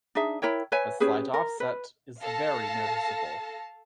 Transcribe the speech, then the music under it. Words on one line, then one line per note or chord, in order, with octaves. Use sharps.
A slight offset is very noticeable.
D4 D#4 G#4 E5
E4 A#4 C#5 G5
B4 C#5 E5 G#5
C#4 G4 G#4 B4
A#4
B4
A4 F5 A5 A#6